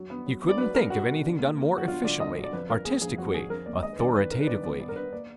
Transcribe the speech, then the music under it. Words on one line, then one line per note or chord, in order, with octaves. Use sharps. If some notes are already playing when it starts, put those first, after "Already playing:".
You couldn't think of anything done more efficiently, artistically, authoritatively.
Already playing: F#3
B3
F#3
B3
D5
F#3 B4
B3 A#4
B2 F#4
B2
D3
A#3
A#3
F#3
F#4
F#3 F4
D3 D5
D3 D#5
F#3
D5
F2 B4
F2 A#4
A#3 G#4
F2 G#4
F2 F#4
F2 G#4
F2 A#4
A#3 D5
G#3 D#5
B4
D#3 D5
D#3 B4
D#3 A#4
B4
D#3 D5
B3 D5
B3 D5
A#4
B3 B4
A#3 D5